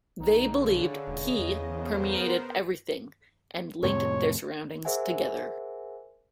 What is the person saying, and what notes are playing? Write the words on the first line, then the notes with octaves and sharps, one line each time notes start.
They believed "qi" permeated everything and linked their surroundings together.
B1 D3 D#4
C#3
E1 D#5
E2
B3 A#4 C5
F2 A2 C3 C#5
G#4 A#4 C5 E5 F#5 G#5